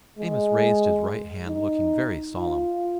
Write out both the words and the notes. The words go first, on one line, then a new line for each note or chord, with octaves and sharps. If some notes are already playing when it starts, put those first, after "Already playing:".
Amos raised his right hand looking very solemn.
G#3
D#4
F4